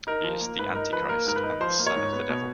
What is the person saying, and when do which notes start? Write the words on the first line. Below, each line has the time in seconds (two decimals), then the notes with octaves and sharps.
He is the Antichrist and the son of the Devil.
0.07 D#4 A#4
0.24 F3
0.41 A#3
0.59 G#2 B4
0.75 D#4 A#4
0.92 F3 B4
1.09 A#3 A#4
1.26 G#2 A#4
1.36 B4
1.44 D#4
1.60 F3 C5
1.79 A#3
1.87 C#5
1.95 G#2
2.13 B3
2.29 B2